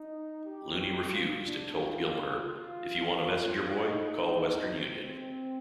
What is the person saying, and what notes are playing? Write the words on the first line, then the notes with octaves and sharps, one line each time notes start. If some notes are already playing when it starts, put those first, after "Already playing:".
Looney refused and told Gilmer, If you want a messenger boy, call Western Union.
Already playing: D#4
G4
F4
D4
F4
F4
F4
D#4
C4
C4